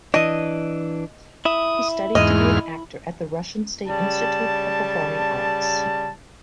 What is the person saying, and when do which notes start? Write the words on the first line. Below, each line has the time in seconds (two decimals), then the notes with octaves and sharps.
He studied to be an actor at the "Russian State Institute of Performing Arts".
0.14 E3 D4 D#5
1.45 E4 E5 D#6
2.15 E2 G#2 D#5 F6
3.88 C#3 G3 A5